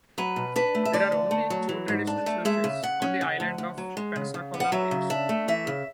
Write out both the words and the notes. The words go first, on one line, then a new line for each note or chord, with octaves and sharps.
There are only two traditional churches on the island of Pensacola Beach.
F#3 B4
B2
D4 B4
A3
E5
D3 D5
D2
A3
F#3
E3
G#2
D4
A3
G#3 E5
C#3
C#3 F#5
C#4
C#3
D2
D2
F#3
G#3
C#3
C#3
B3
F#5
F#3 E5
C#3
D4 E5
A3
E3 E5
C#3